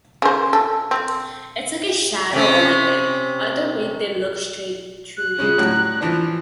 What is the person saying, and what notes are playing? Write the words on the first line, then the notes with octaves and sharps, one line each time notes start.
It's like a shadow over them, or the way they look straight through you.
C#3 C5
A4
C4
C3 C#4
F#6
C#3 G#3 C#4
A2 F#3 G3
E3 F3 D4